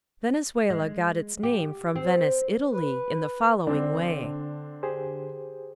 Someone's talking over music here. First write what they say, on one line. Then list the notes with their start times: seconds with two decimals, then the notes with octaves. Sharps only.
Venezuela got its name from Venice, Italy, in the following way.
0.70 G#3
1.43 G4
1.96 C4
2.73 B4
3.67 D3 C4 D4
4.83 G4 G#4 C5